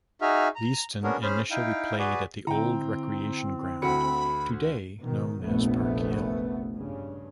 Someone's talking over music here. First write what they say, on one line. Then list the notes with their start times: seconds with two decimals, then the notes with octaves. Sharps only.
Leiston initially played at the old Recreation Ground, today known as Park Hill.
0.22 D#4 F#4 G#4 E5 F6
0.56 A#5
1.03 B3 C#4 D4 F#4 G#4 A#4
1.23 C#4 G#4 C5 B5 F6
1.51 D#4 E4 F5 G5
1.99 F#4 G#4 B4 D5
2.47 D3 C4 E4 G5 A#5
3.82 D2 F#4 B5 C#7
5.00 B2 D#3
5.44 F1 A#1 A3 B3
6.75 G2 C#3